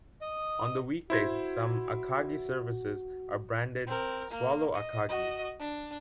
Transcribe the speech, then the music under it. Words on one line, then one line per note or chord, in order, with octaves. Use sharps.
On the weekdays some "Akagi" services are branded "Swallow Akagi".
D#5 D#6
E4 F#4 C5 G#6
C4 A#4
A#3
D#5
F#4 D#5
D4